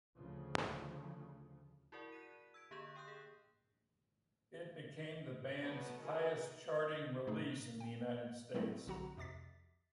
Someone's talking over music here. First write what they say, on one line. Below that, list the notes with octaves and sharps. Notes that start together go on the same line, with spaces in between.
It became the band's highest-charting release in the United States.
D2 C#3 F3
E4 F#4 G#4 A#4 D5 F#5
F#6 B6 D#7
E6 G#6 B6 D7
D3 A#3 G4 G#4 D#5 G6
G4 G5 D#6 F#6 G6
G#4
B2 F#3 A3 B3
F2 E3 D#4 F#4 G#4 A#4
A2 A3 D#4 G#4
G5
F#3 G3 A3 B3 C4 E4
B1 D3 C4 F#4 F#5 A#5
F2 C3 D6 A6 B6